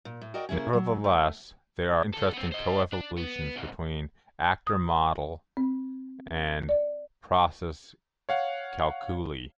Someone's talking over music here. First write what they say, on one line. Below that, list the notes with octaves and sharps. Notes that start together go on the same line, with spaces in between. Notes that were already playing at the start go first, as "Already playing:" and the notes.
Nevertheless there are interesting co-evolutions between the Actor Model and Process Calculi.
A#2
A2
F#4 A#4 D5 D#5 G5
C3 A#3 C#4 E4 G#4
F#3
A3
D3 A4
B3 C4
C5 D#5
D4
B3
C2 G#2
D#6
C4
D5
C#5 F5 F#5